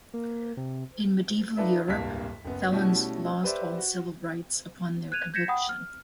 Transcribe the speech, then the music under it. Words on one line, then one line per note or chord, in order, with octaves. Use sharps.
In medieval Europe, felons lost all civil rights upon their conviction.
A#3
C3
D#4 F4 A4 B4 D5 E5
D1 C2 G2 G3 A#3 B6
F#1 B3
B2 G3 A3 C#4 E4 F#4
G4 B4 C5 D5 E5
F#4
F#6 G#6 D#7 F7
G6 G#6 A#6 B6 C#7 E7
F#5 G5 B5 D#6
F6